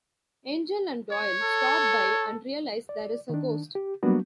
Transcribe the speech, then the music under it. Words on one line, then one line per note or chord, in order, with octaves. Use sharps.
Angel and Doyle stop by and realize there is a ghost.
C#5
A4
D5
D#3 D4
G4
F#3 G3 A#3 B3 D4 F#4